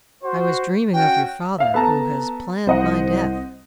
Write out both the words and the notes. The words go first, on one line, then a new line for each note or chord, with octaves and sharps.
'I was dreaming of your father, who has planned my death.'
F#4 C5
C#4 F#4 G5
E5 F5
B3 A4 A5 A#5
C2 C5 D#5 F#5